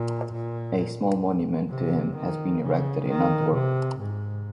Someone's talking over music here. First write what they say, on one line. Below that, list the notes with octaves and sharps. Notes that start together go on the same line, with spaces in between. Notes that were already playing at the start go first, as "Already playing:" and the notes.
A small monument to him has been erected in Antwerp.
Already playing: A#2
A#2
C3
D#3
C#3
D#3
C3
G#2